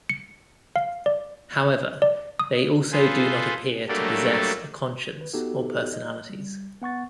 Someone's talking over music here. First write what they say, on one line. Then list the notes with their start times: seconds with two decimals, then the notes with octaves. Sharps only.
However, they also do not appear to possess a conscience or personalities.
0.09 C#7
0.76 F5
1.06 D5
2.02 D5
2.39 D#6
2.92 F4 G#4 A4 B4 C5
3.88 F#3 G3 A3 A#3 D4 A4
5.17 D#3 B4
5.33 B3 D#4 F#4 G4 A4
5.94 D#5
6.30 G3
6.81 B3 F#5 C#6 A6